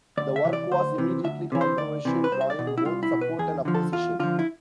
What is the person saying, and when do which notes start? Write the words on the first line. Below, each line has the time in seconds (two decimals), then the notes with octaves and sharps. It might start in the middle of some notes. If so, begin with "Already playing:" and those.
The work was immediately controversial, drawing both support and opposition.
0.17 D2 D5
0.36 E5
0.44 C3 E3
0.53 D5
0.71 D2 C5
0.98 C3 E3
1.24 D2 E5
1.52 C3 E3
1.61 C5
1.78 D2 D5
2.05 C3 E3
2.24 B4
2.32 C2 C5
2.41 E5
2.50 D5
2.59 B2
2.67 G#4
2.78 E4
2.85 C2 F4
3.03 E4
3.12 B2
3.21 B4
3.39 E2 G#4
3.65 D3 F3
3.75 A4
3.93 E2 F4
4.20 D3 F3 F4
4.39 E4